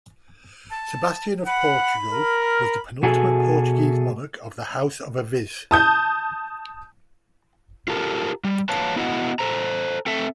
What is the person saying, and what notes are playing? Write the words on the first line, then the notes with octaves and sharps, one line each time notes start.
Sebastian of Portugal was the penultimate Portuguese monarch of the House of Aviz.
A5
F#5 B5
A#4 F6
B2 F#4 G#4 A4
A5 D#6 G6
F4 G4 A4 A#4
G3
B4 C#5 F5 A5
B3 E4 F#4 B4 D#5 F#5
A4 C5 A#5
C4 A4 E5